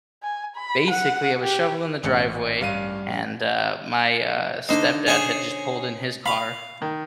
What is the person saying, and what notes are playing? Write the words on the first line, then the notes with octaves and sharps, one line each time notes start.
basically I was shoveling the driveway and, uh, my, uh, stepdad had just pulled in his car,
G#5
B5
F#5
G4
A1 C#7
G2 F5 D#7
D3 D#4 C5
C#4 G#4 C5
F5 B5
D#3